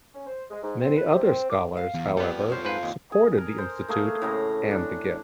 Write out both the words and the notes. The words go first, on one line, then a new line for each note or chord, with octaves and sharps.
Many other scholars, however, supported the institute and the gift.
C#4
C5
G#3
G#2
C4
B4
C3
C4
D6
F5
E2
G3 B3 F4 A4
C#4 C5
G#2 B4 C5 F5
D#2
G#4
A#4
C5
A3 A#3 G#4
A2 C#3 A#5
D4